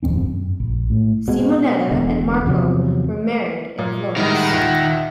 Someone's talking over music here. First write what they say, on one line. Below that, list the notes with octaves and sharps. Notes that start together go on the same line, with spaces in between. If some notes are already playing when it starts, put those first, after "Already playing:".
Simonetta and Marco were married in Florence.
D#1 F2 C4 D4
F#2
A#1
A2
B2 G#3
E1 B2 D3
E2 C3 F3 F#3
A#2
A2 D#3 G3 G#3 A#4 E5 F#5
D#2 A#2